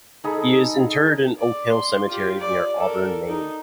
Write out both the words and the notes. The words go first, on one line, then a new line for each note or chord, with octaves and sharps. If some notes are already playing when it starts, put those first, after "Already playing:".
He is interred in Oak Hill Cemetery, near Auburn, Maine.
D#4 G#4 A4 B5
D5
C6
F4 G4
D5
A4 A#4
D#4